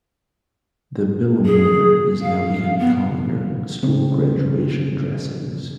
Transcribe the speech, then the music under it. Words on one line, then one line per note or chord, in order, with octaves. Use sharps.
The bilumware is now becoming common during school graduation dressings.
G#4
F5
B3
C#3 C4